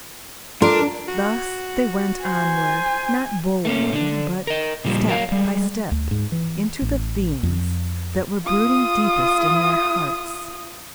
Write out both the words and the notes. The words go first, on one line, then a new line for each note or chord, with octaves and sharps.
Thus they went onward, not boldly, but step by step, into the themes that were brooding deepest in their hearts.
D4 F4 A4 A#4 C6
F#4
C5 G#5
A3 A#3 C#4
D3 D4
A#4 D#5
A#2 C#3 F3 G3
F#3 A#4 E5 F5
G3 G#3
D2
G#2
E3
A1
F2
F4 D#6